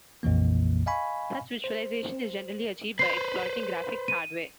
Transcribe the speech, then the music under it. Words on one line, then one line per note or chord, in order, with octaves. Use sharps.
Such visualization is generally achieved by exploiting graphics hardware.
A#1 F2 A#2 E3 A#3
D#5 F5 G#5 B5 C#6
C5
B4 C5 C7
D#7